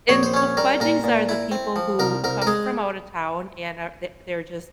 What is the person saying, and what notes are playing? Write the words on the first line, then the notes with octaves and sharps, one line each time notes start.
And so, "fudgies" are the people who come from out of town and are the they're just
A#1 C#5
C5
C#4 C#5
G3 A#4
A#2 A#4
A#2
E4
C4
F3
C2 A#4
C2 A#4
A#4
G#3 G#4